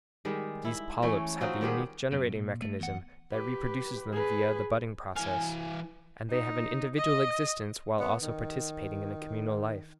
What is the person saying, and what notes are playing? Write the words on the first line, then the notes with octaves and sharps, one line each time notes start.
These polyps have a unique generating mechanism that reproduces them via the budding process, and they have an individual existence while also participating in a communal life.
D#3 G3 G#3
E4
E3 A3 C#4 G5
F#3 C4 D#4 F4
D#3 G3 B3 G#4
F#2 B2
A#2
A3
E2 F#5
G4 B4
G#4 B4
E3 F5 G#5
D#4
D#5
B3
D#3